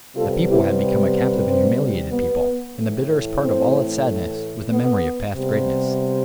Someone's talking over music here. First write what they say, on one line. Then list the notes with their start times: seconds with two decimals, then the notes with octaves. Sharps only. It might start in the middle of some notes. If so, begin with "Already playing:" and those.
The people had become a captive and humiliated people; and the bitterest part of all its sadness was the memory of past greatness.
0.16 C3 G3 B3 F4 A4
0.48 E4 G4
1.46 C4
2.11 B3
2.76 A2 E3 A3
3.41 C4
4.71 B3
5.36 C3 G3 B3